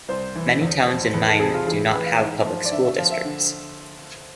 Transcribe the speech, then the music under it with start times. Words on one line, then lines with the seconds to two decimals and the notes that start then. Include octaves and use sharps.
Many towns in Maine do not have public school districts.
0.08 C2 C5
0.35 E3
0.62 E2
0.88 F3
1.14 E2 B4
1.28 A4
1.40 C3 G#4
1.54 F4
1.67 E3 G#4
1.93 E3 B4
2.06 F5
2.19 G#2
2.46 F3
2.65 D5
2.72 D3 E5
2.85 E5
2.98 F3 F5
3.11 E5
3.25 D3